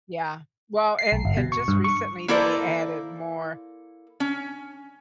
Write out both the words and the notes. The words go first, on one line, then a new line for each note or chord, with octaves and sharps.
Yeah. Well, and and just recently they added more,
C7
B1
G1
B2
C#6
G2
C#6
A#3 E4 A4 A#4 C5 D5
C#4